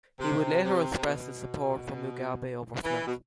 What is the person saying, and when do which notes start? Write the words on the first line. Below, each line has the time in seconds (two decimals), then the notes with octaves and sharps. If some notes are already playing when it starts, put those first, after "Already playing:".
He would later express his support for Mugabe over Smith.
0.20 C3
0.64 C3
0.98 C3
1.07 B2
2.84 E3
3.08 B2